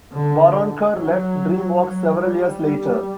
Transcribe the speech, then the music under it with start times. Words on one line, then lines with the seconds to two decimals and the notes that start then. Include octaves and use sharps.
Waronker left DreamWorks several years later.
0.12 D3
0.96 F#3
1.81 F#3
2.23 G3